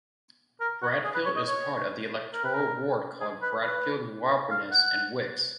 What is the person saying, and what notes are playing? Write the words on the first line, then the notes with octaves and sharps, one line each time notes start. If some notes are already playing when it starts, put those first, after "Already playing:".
Bradfield is part of the electoral ward called Bradfield, Wrabness and Wix.
A#4
F#4
G#4
B4
C#5
D#5
C#5
A#4
B4
A#4
G#4
B4
B4
F5
F#5